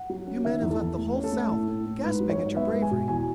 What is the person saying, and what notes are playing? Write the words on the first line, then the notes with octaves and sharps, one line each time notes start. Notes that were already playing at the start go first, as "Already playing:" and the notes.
You men have left the whole South gasping at your bravery.
Already playing: F#5
F#3
C#4
D#3 E5
E2
A4
E2
A3
C#4
A4
A3
A2
A2
A2
G#2 B4
F#3
C#5
G#2
B3 E5
G#3
G#5
B2
E2 G#5